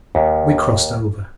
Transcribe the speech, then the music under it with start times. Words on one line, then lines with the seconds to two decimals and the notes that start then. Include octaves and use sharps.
We crossed over.
0.15 D#2